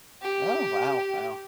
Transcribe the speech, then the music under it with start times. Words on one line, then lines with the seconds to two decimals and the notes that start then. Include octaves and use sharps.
Oh, wow, wow.
0.22 G4